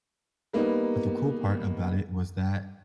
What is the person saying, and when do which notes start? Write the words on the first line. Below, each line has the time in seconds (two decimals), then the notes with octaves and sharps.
But the cool part about it was that,
0.53 G3 A#3 B3 D#4